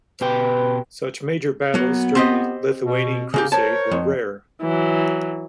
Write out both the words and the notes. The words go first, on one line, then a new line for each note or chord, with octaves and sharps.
Such major battles during the Lithuanian Crusade were rare.
B2 G4 B4 G5
F#3 A#3 B3
C4 G4 D#5
B2
C#3 A#3 G4
A#4 C5 C#5 A5
F2
E3 F#3